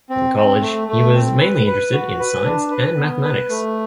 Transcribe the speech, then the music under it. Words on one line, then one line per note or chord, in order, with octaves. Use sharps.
In college, he was mainly interested in science and mathematics.
C4
C4
A3
A3
C4
B4
B4
F#4
B4
D4
B4
B3
B4
A3